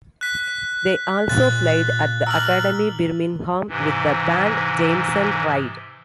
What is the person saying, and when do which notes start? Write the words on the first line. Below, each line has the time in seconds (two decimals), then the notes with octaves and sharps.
They also played at the Academy Birmingham with the band Jameson Raid.
0.21 F#6 B6
1.29 A#2 F#6 A6
2.26 A#5 D6 E6 F6 F#7
3.69 G#2 C3 E3